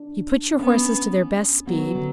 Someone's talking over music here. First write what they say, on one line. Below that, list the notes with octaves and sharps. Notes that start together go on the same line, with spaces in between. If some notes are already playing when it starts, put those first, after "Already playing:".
"You put your horses to their best speed."
Already playing: D4
B3 C#4
F#3 B3
D3